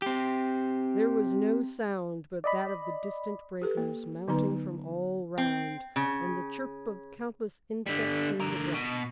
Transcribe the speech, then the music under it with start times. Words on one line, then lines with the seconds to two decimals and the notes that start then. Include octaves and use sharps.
There was no sound but that of the distant breakers, mounting from all round, and the chirp of countless insects in the brush.
0.02 C4 G4
2.44 D5 D#5 B5
3.62 G4 A4 B4
3.77 A#3
4.28 D3 F#3 B3 D#4 B4 A#5
5.38 C4
5.96 C#3
7.86 D3 G3
8.40 D3 A#4
8.74 B2